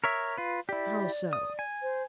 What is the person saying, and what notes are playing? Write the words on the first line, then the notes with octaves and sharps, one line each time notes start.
"How so?"
A#4 C#5 E5
F4 B4
E4 G4 D5
D#6
G#5
C5